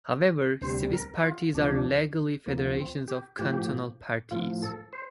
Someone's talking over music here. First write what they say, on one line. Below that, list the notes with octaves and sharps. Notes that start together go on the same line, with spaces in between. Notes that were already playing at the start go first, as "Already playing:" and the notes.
However, Swiss parties are legally federations of cantonal parties.
D2 C3 G3 C5
A#4
F4
D2 C3 F3 D4
D2 C3 F3 A#3
C4
G4
A2 F3 G4
A2 F3 F4
A4
C5